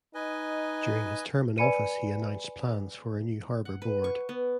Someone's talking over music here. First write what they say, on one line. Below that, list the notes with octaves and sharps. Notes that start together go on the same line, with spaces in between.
During his term in office he announced plans for a new Harbor board.
D#4 B4 D#5 G#5
B4 D5 G#5 B5 C#7 D#7
F#5
B4
C#6
B3